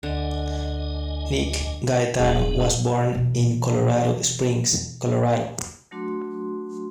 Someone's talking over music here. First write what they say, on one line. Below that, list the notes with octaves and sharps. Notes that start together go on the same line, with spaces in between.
Nick Gaetano was born in Colorado Springs, Colorado.
D2 D3 D#5 G#5
D#1 G#2 B3 D4 G#4
B2 E3
F#3 A3 D4 F#4 C6